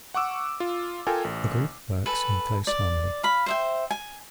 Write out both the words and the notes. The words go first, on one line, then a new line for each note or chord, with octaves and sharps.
The group works in close harmony.
F#5 C#6 D6 E6
F4
F4 A4 A#4 G5 G#5
A1
A4 B4 G#5
D5
F5 B5
C5 E5 G5
G#5